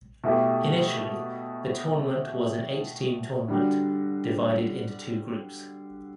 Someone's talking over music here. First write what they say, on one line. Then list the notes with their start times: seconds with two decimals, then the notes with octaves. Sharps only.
Initially the tournament was an eight team tournament divided into two groups.
0.24 B2 A3 E4 G4
3.48 D3 G3 D4 F#4